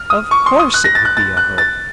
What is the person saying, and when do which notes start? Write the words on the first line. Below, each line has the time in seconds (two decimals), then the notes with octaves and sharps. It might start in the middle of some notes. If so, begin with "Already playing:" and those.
"Of course it would be a hope."
Already playing: F6
0.10 D#6
0.31 C#6
0.46 C6
0.59 D#6
0.74 F#6
0.84 A#6
0.95 A6
1.05 F#6
1.17 A6
1.37 F#6
1.58 A6